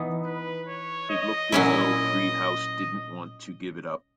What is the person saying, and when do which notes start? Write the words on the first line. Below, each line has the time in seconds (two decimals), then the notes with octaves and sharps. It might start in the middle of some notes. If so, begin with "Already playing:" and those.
It looked as though Free House didn't want to give it up.
Already playing: E3 B3 D#4
0.24 B4
0.68 C#5
1.10 D#5
1.52 A#2 F#3 C#4 E4